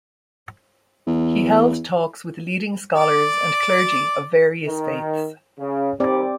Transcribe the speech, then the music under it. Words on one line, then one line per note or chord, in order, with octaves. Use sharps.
He held talks with leading scholars and clergy of various faiths.
E2
D5
D#3
C#3
D#2 G3 C4 G4 D5